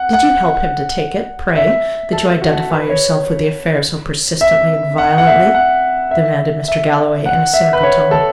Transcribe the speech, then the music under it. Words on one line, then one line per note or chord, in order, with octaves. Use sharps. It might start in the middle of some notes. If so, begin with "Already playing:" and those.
"Did you help him to take it, pray, that you identify yourself with the affair so persistently and violently?" demanded Mr. Galloway, in a cynical tone.
Already playing: F#5
F#5
E5
A4
F#4
B4
C#5
E5
F#5
F#5
E5
F#5
E5
E5
F#5
E5
B4
C#5
A4